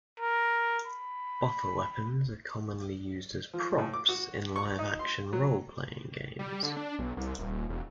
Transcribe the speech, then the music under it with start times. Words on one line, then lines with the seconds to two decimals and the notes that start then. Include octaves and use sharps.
Boffer weapons are commonly used as props in live action role-playing games.
0.20 A#4
0.87 B5
3.54 F3
3.78 A2
3.94 D6
4.09 F#4
4.56 C#6
4.79 D#4
4.99 C6
5.33 F#3
6.39 G3
6.63 D3
6.77 D4
6.99 B1
7.17 C2
7.39 D#1
7.69 E1